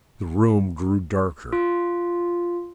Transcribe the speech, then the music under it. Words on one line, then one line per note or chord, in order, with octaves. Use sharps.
The room grew darker.
F4